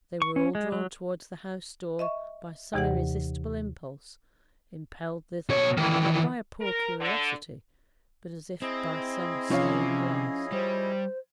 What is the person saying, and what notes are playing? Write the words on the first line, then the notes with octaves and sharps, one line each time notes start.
They were all drawn towards the house-door by some irresistible impulse; impelled thither--not by a poor curiosity, but as if by some solemn blast.
C#6
C#4
G#3
F#3
D#5 E5 C#6
D#2 C3 E3 G4 D5 F#5
B2 C#5
D#3 E3
A#4
D3
C4 E4 G#4 D#5
C3 F3 C#4 C#5 F5
G3 C5